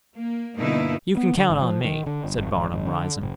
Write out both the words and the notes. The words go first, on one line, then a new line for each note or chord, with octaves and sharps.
"You can count on me," said Barnum, rising.
A#3
G2 B2 D3 A#3 D#4 E4
B3
D3
G#1
F3
D#3
D3
G1
G#1
G#1
G#1
D3
F#1